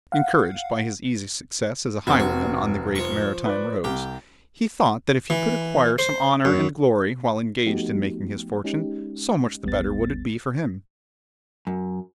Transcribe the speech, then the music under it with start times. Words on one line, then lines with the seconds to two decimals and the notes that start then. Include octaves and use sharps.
Encouraged by his easy success as a highwayman on the great maritime roads, he thought that if he could acquire some honour and glory while engaged in making his fortune, so much the better would it be for him.
0.12 F5 F#5
2.07 F1 C4 F#4
2.20 F#4
2.95 F3 C#6
3.46 B4 D5
3.84 C2 G4
5.30 E3
5.99 C5
6.45 F#2
7.66 F3 A3 B3 D#4 F#4 G4
8.64 G#3 C#4 D#4 G4
9.64 G#1 D#2 G3 B3 A6
11.67 F#2